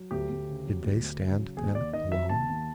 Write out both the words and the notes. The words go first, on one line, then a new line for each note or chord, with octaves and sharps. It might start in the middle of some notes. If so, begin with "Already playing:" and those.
Did they stand then alone?
Already playing: F#3
D2 G4
D2
C#3
F#3
D2
D2
C#3
F#3
D#2 G#4
D#2 D5
D#3 D#5
F#3 E5
D#2 A5
D#2